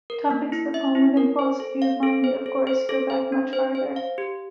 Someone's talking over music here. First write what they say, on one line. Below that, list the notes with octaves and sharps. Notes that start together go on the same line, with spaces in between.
Topics that fall within philosophy of mind, of course, go back much farther.
A#4
A#3
E4
E5
E4
A#4
C5
A4
F5
A4
C5
A4
C5
A4
C5
D4
C5
C5
F5
G4